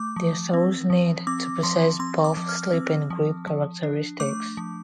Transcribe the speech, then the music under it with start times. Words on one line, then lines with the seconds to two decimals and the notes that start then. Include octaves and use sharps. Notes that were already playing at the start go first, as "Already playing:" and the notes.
Their soles need to possess both "slip" and "grip" characteristics.
Already playing: A3 D6
0.16 F3
0.53 C4
0.90 F3
1.27 C4 D6
1.63 F3 C6
1.99 C4 C6
2.24 D6
2.37 F3
2.49 F6
2.73 C4
3.10 F3
3.47 F3
3.83 D4
4.20 A3 D6
4.57 F3